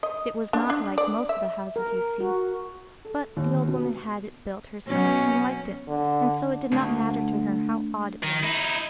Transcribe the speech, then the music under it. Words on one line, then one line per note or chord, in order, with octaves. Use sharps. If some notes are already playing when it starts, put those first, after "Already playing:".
It was not like most of the houses you see, but the old woman had it built herself, and liked it, and so it did not matter to her how odd it was.
D#5
D4
D4
D5
E5
A#4
F#4
A4
D#2
B2
B2 F#3 C#4
D3
D2
D#3
D#4 E4